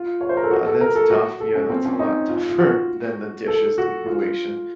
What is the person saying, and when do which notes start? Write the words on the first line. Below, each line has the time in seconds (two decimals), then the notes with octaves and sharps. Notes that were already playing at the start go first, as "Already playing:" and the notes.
Uh, that's tough yeah, that's a lot tougher than the dishes situation.
Already playing: F4
0.21 C#5
0.29 C5
0.37 A#4
0.44 A4
0.51 F#4
0.66 A4
0.81 A#4
0.96 A4
1.10 F#4
1.40 A4
1.55 C#4
1.70 C4
1.85 C#4
1.99 D#4
2.29 F4
2.49 F4
2.58 F#4
3.48 A4
3.78 F#4
4.06 F4